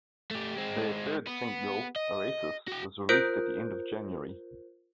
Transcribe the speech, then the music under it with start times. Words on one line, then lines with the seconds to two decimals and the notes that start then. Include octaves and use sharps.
Their third single, "Oasis", was released at the end of January.
0.31 A3 G4
0.56 G#3 C4
1.27 B3
1.96 D#5
2.68 F#4 G5
3.09 F4 A#4 C5 F#6 G6 D7